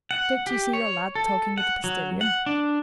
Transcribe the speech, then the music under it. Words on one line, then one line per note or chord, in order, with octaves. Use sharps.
"Don't you see your lad talking with the postilion?"
F#5
G4
C#5
A4
F#5
F#3
F#5
D4